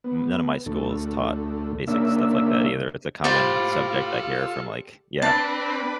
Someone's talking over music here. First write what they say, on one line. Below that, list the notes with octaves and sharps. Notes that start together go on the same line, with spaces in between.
m none of my schools taught basic stuff like that either, if it's a common subject I hear from, like Yeah
B3
D2 A3
C#3 A#3 D4 E5
F4 G4 A4 C5 D5 B5
C4 D4 B4 A5